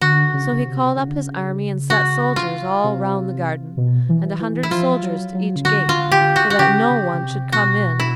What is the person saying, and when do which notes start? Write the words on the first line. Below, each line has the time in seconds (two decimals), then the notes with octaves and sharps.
So he called up his army, and set soldiers all round the garden, and a hundred soldiers to each gate, so that no one should come in.
0.02 D3 F#4
0.33 C#3
0.52 C#3
0.64 C3
0.96 C#3
1.08 D3
1.21 C#3
1.90 F#4
2.36 F4
2.84 C3
3.77 B2
4.09 E3
4.40 E3
4.63 E4
4.70 F3 F4
5.02 F#3
5.34 F#3
5.56 C#3
5.65 D3 F#4
5.89 F4
6.12 G4
6.36 F#4
6.50 F#4
6.59 C#3 G4
6.90 C#3
7.13 C#3
7.21 C3
7.52 B2 F#4
8.00 E4